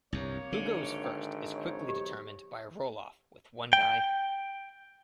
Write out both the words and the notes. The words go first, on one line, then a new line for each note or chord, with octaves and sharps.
Who goes first is quickly determined by a roll-off with one die.
C2 G2 A#3 C#5
G#1 D3
G5
D#4 C5 C#5
B1 G4
G5